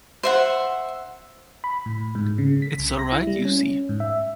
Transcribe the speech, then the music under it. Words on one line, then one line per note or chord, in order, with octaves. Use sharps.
It's all right, you see.
C5 E5 F#5
B5
A2
G#2
C#3
B6
C2
A#6
E4
G3
C#4
G#2
E5